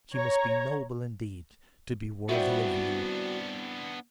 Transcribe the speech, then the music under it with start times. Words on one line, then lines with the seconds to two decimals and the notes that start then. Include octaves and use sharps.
She must be noble, indeed, to be worthy of you.'
0.14 C#5 A#5
2.29 G3 B3 C4 D4 E4 F#4